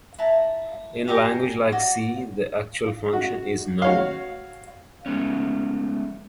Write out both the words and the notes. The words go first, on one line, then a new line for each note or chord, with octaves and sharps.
In a language like C, the actual function "is" known.
E4 A5 A#5
G4 A#4 G5 G#5
F#4 D5 D#5
F#4
F#4 C#5 F5
G#3 A3 B3 C#4